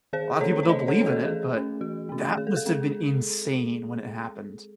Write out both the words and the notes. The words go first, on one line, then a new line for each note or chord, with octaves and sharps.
A lot of people don't believe in it, but, that must have been insane when it happened.
D#3 G#4 C5
A3 C#4 A4 C#5
C#5
D#3 C5 D#5
A4 C#5
A3 C#4
F#4 A4
E3 G#4
A3 C#4
E3 F#4
A3 C#4
D#3 G#4
A4
G#4
G#3 C4